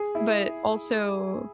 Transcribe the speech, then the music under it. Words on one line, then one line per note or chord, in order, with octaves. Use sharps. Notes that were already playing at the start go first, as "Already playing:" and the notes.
but, also
Already playing: G#4
E4